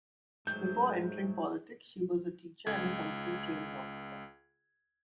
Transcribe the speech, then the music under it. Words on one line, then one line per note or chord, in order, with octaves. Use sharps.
Before entering politics, she was a teacher and a company training officer.
G#2 F#3 G#3 A3 G6
C#2 G#6